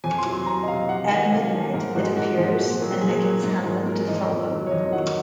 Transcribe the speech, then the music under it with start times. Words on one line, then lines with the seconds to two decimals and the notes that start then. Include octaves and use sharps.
At midnight, it appears, and beckons Hamlet to follow.
0.04 F2 G#5
0.18 C6
0.25 C3 F#3
0.32 C6
0.46 F2 A#5
0.63 D#5
0.67 C3 F#3 F5
0.89 C3 F#5
1.10 D#3 A#3 G#5
1.31 C3 F5
1.53 D#3 A#3
1.74 G#2 A#4
1.95 F3 G#3 F#4
2.16 G#2 F#4
2.38 F3 G#3
2.59 A#2
2.80 F#3 A#3
3.01 A#2 G#4
3.22 F#3 A#3
3.44 G#2
3.66 F3 A#3
3.86 G#2 A#4
4.07 F3 A#3 D#5
4.29 F2
4.50 D#3 F#3
4.67 C#5
4.71 F2 D#5
4.92 D#3 F#3 F#5